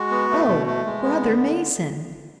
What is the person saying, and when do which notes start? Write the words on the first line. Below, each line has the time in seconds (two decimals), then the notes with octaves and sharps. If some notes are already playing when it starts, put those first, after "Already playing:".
"Oh, brother Mason!"
Already playing: G#3 F#4
0.11 B3
0.30 A3
0.48 B2
0.66 A3
0.86 G#3
1.03 B3
1.23 D3